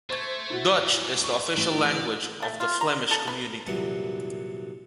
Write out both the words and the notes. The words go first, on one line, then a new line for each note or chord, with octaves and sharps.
Dutch is the official language of the Flemish Community.
A3 C5 C#6 G#6
E4 F#4
G#2 C3
C#6
A1 D5
A3
F4
A#5
A4
B4
C2 F#2 A#2 E3 F#5